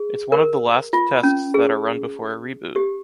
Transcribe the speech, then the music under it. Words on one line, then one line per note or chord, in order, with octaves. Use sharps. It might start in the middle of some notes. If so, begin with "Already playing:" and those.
It's one of the last tests that are run before a reboot.
Already playing: G#4
A#4
F4
C#4
G#4
G4